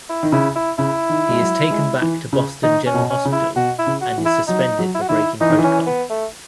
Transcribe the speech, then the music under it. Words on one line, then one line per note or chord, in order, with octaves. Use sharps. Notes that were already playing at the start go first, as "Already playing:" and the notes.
He is taken back to Boston General Hospital and is suspended for breaking protocol.
E4
D#3
C#3 E4
E4
C#3 E4
D#3
G#3
F#3
G#3
E3
C#3
D#3 D#4
C#4
B2
C#4
C#3
E4
B2 F#4
E4
C#3
F#4
E3
E4
F#3 D#4
F#3
E4
F#4
D#3 E4
E3 D#4
D#3
E3
C#4
B3
A3